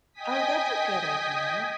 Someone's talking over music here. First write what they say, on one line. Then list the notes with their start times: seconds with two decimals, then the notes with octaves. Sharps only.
Oh, that's a good idea.
0.13 D#5 G5 G#5 D#6 B6